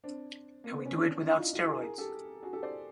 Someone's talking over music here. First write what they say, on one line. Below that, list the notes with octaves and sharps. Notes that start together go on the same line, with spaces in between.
And we do it without steroids!
C4 D4
A#3
B3
C4
C#4
C4 D4
D4 E4
D#4 F4
E4 F#4
G#4 A#4
G#4 A#4
G4 A4
F#4 G#4
G4 A4
C5 D5